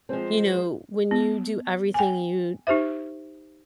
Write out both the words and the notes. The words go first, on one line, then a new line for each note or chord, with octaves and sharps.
you know, when you do everything you
F3 G#3 C4 C5
B3
G5 G#5
D#4 G4 C5 E5